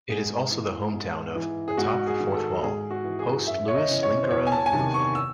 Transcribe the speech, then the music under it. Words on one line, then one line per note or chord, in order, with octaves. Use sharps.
It is also the hometown of "Atop the Fourth Wall" host Lewis "Linkara" Lovhaug.
G#2 G#4
E3
G#2
E3
G#4
G#2 F#4
G#4
D#3
A4
G#2 G#4
F#4
E3
G#4
F#2 E5
C#5
D#5
C#3 E3
C#5
C5
E2 C#5
G#5
A5
G#5
C3 D#3 A5
C#6
E6